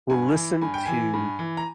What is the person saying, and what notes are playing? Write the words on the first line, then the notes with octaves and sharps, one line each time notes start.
will listen to
G2 G#5
E3
G2 G#5
G5
E3 G#5
G2
E3
A#5